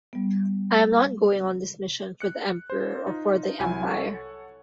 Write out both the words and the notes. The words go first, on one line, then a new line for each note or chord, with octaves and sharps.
I am not going on this mission for the Emperor or for the Empire...
G3 B3
F#6 C#7
C5
D#4 F4
C2 F#3 E4 G#5
A4 C#5 F#5 C#6